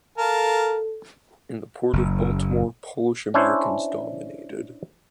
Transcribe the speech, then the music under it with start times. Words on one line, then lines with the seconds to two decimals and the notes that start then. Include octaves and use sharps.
In the Port of Baltimore, Polish Americans dominated.
0.18 A4 A#4 F5 A5
1.93 F#1
3.34 C#4 D4 E4 C5 C#5